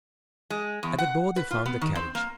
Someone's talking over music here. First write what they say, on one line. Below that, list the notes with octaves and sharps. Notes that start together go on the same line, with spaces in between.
At the door they found the carriage.
G#3
E2
F#5
B4
F4
B3
D#3
C4
A#3